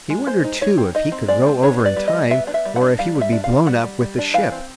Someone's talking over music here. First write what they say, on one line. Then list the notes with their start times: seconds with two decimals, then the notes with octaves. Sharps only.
He wondered too if he could row over in time, or if he would be blown up with the ship.
0.10 G#3
0.27 G#3 C5
0.44 D#4
0.61 D#4 C#5
0.78 C4
0.95 D#4 D#5
1.12 C4
1.28 G#3 D5
1.46 C4
1.62 D4 C#5
1.80 B3
1.85 D5
1.96 G3
2.08 D#5
2.13 G3
2.30 B3 E5
2.47 D4
2.54 E5
2.65 G3
2.76 F#5
2.81 D4
2.99 G3 F5
3.15 G3
3.21 E5
3.32 D4
3.44 F5
3.49 D4
3.66 G3 F#5
3.83 G3
4.01 G3
4.18 D4
4.34 E3 F5
4.52 C4